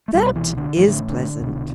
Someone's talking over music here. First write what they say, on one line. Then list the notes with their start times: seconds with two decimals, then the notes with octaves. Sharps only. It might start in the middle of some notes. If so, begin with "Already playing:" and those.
That is pleasant!
0.08 A3
0.14 C2 B2 G3
0.35 E3
0.57 D3
0.77 A1 A2 E3
0.88 D3
1.09 D3
1.39 C2 B2